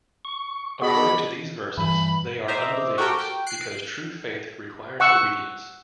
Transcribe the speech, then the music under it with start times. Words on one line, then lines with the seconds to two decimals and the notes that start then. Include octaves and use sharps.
According to these verses, they are unbelievers; because true faith requires obedience.
0.25 C#6
0.82 B3 F#4 G#4 A4 D5 D#5 B5
1.77 G2 E3 B5
2.48 C5 D#5 E5 A#5 D6
2.98 F#4 G4 A4 A#4 G5
3.18 G5
3.46 F#6 C7 D7
5.00 F#5 C#6 E6